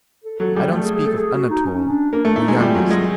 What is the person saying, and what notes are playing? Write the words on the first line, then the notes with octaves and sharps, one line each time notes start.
I don't speak of Anatole, your youngest.
A4
F#3 A4
G3 G#4
A3 A4
G#4
G#4
A4
G#4
F#4
D#4
C#4
D4
A#3 D4
A3 D4
A3 D#4
G#3
G3 F4
F#3
F4
G#3